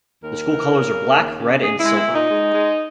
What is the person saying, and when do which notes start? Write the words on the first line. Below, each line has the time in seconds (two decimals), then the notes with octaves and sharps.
The school colors are black, red, and silver.
0.23 D#2 A#4
0.46 E3
0.70 C#3
0.93 C#3
1.15 D#2
1.38 C#3
1.62 G#3 G#4
1.78 E4
1.84 G#3
1.95 E4
2.07 A#2
2.13 D#4
2.31 G#3
2.54 G#3